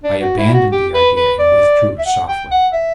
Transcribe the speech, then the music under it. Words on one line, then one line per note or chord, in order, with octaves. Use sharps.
I abandoned the idea and withdrew softly.
D4
F#4
E4
F#4
G4
B4
B4
D5
E5
F#5
G5
F#5
E5